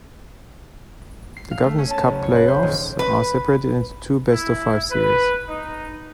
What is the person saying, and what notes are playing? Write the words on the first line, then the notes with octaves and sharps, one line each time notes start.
The Governors' Cup Playoffs are separated into two best-of-five series.
C7
F5
A3
C#4
A5
F#1
C#5
B4
C5
D#1
B4
E4
B4
D#4